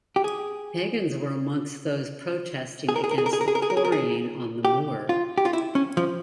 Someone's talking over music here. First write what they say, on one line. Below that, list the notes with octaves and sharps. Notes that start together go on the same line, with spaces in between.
Pagans were amongst those protesting against the quarrying on the moor.
G4
G#4
G#4
A#4
G#4
A#4
G#4
A#4
G#4
A#4
G#4
A#4
G#4
A#4
G#4
A#4
G#4
G4
F4
G4
F4
E4
C#4
F3